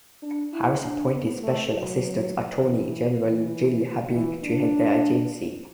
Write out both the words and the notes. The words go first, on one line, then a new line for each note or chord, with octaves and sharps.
Harris appointed special assistant attorney general Jill Habig to head the agency.
D4
E4
D4
B3
A3
F#3
E3
E3
E3
D4